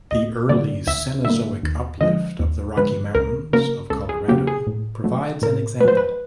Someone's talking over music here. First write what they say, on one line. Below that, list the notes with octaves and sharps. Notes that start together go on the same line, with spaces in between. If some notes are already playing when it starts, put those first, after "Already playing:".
The early Cenozoic uplift of the Rocky Mountains of Colorado provides an example.
D2 D#5
D3 G3 A#3 D5
D2 E5
D3 G3 A#3 E5
D#2
D3 F3 G#3 D#5
D#2
D3 F3 G#3 B4
C#2 A#4
C#3 F#3 A#3 A#4
C#2 A4
G#4
C#3 F#3 A#3 G4
G#4
A2
F#3 A3
A2 A#4
F#3 A3 B4 C5
B4